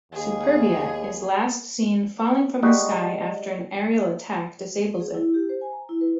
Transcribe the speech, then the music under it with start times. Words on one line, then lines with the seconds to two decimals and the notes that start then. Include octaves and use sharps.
Superbia is last seen falling from the sky after an aerial attack disables it.
0.12 D#2 G#4
2.63 G3 G#3 D#4 F#4
5.00 G#4
5.14 E4
5.34 G4
5.49 C5
5.61 G#5
5.73 A#5
5.89 E4
6.01 B4